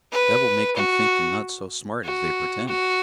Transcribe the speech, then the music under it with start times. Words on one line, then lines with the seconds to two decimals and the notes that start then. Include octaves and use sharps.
"That will make them think they're not so smart as they pretend."
0.12 B4
0.76 F#4
2.04 F#4
2.67 F#4